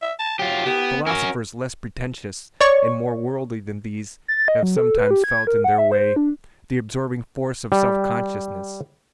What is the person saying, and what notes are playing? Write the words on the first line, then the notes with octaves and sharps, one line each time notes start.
Philosophers less pretentious and more worldly than these have sometimes felt, in their way, the absorbing force of self-consciousness.
E5
A5
F#3 F4 G4
B3 G4
C#4 F#4 A#4
C#5 D5 C#6
A6
D#5
F#3
A4
B4
G4
G#6
A#4
F#5
E5
C5
D4
G3